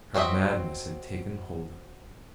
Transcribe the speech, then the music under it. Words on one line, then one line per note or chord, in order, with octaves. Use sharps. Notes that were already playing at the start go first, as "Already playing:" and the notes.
Her madness had taken hold of her.
F#3 C4 D4 D#5 E5